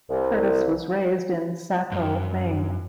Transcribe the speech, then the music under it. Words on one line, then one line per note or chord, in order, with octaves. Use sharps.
Curtis was raised in Saco, Maine.
C2
F#2